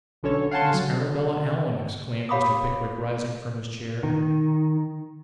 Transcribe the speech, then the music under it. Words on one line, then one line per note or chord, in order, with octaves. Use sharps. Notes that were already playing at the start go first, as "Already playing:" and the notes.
'Miss Arabella Allen!' exclaimed Mr. Pickwick, rising from his chair.
B1 D3 C#4 A4 C#5
F5 F#5 G#5 A5 C6
F#3
G4 C#5 F5 B5 D6 D#6
D#3